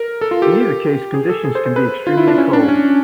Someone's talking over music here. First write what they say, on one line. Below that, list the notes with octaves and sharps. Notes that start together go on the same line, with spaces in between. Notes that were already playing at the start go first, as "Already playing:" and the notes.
In either case conditions can be extremely cold.
Already playing: A#4
A4
F4
G4
G#4
A4
G#4
C5
C5
B4
F4
E4
D4
C#4
D4
C#4